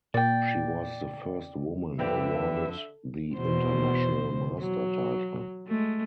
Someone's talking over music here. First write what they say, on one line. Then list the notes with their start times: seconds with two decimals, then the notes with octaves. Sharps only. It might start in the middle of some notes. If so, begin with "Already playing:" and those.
She was the first woman awarded the International Master title.
0.14 A#2 D5 G5
1.99 F2 D3 C4 D4 G4 B4 E5
3.34 E2 B2 C5
4.59 F#3
5.68 G#3 A3